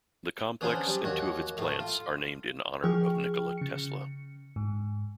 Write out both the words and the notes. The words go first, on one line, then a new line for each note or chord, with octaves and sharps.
The complex and two of its plants are named in honor of Nikola Tesla.
B3 C#4 D4 G#4 C5
G3
D#2 F#4 C#5
A2 A3
F4
F3 G#4 G5 C#6 F6
C#3 C#7
G#2